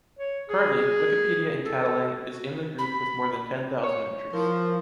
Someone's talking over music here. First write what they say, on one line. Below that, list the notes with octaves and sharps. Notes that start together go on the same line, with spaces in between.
Currently, Wikipedia in Catalan is in the group with more than ten thousand entries.
C#5
G#4
A4
F#4
B5
C#5
F3 E4 A#4 C6